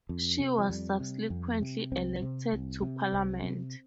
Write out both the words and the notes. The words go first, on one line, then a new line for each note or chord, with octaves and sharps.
She was subsequently elected to parliament.
F2
C3
F3
F2 G3
C3
F2
C3
C2 C4
C3
C2
C3
C2 C4
C3